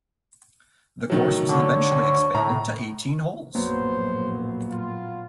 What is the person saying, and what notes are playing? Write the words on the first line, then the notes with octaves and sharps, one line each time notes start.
The course was eventually expanded to eighteen holes.
A2 D#3 F#3
D3 C#5
D2
A2 A#5
A#1 F#2 A2 F#3 A#3 B3 C5
F4